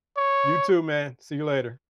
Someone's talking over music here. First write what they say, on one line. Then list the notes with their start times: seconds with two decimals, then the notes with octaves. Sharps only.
You too, man. See you later.
0.17 C#5